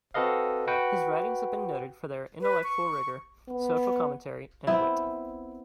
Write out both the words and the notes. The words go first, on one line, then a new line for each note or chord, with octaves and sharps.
His writings have been noted for their intellectual rigor, social commentary, and wit.
C4 F#4 A4 B4 D#5 F5
F#4 B4 F#5 G5
B4
C#6
B3
B3 C4 E4